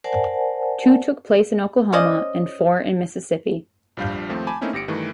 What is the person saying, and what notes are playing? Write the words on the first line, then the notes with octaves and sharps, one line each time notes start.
Two took place in Oklahoma and four in Mississippi.
A#4 C5 D5 F#5 G#5 A5
C#4 C5 D5 D#5
A#1 F3 G3 D4 F5 G6
D#2 F3 A3 C4
G#5 A5 B5 D6
A3 A#3 C4 C#4 D#4 E4
G1 G4 A#6 C#7 D7
G2 D#3 E3 A3